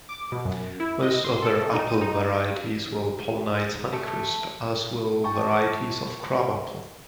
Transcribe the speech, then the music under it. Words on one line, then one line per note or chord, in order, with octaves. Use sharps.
Most other apple varieties will pollenize Honeycrisp, as will varieties of crabapple.
D6
B2
F#2
E4
D#5
C6
A4
D#4
D#7
D#4
A3
G5 A5 C#6